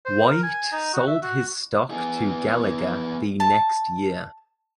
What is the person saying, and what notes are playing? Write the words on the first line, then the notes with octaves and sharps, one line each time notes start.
White sold his stock to Gallagher the next year.
C5
A#4
G#5
D#4
F#4
E5
F#4
B3 G#4
A5